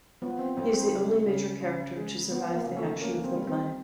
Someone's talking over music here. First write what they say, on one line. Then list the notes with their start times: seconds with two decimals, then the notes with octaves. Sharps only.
He is the only major character to survive the action of the play.
0.22 F3 B3
0.39 C4
0.57 F2 C4
0.74 C4
0.92 C#3
1.26 C#3
1.61 C#3
1.96 G#3
2.31 F3 B3
2.54 A#3
2.65 C#3
2.77 A3
3.00 A#3 C#4
3.24 C4
3.35 G3
3.47 C4